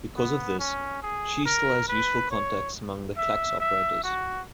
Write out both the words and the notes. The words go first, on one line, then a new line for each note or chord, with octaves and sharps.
Because of this, she still has useful contacts amongst the clacks operators.
B3
C#4
G#4
A#4
B4
C#5
E5
E5
F#4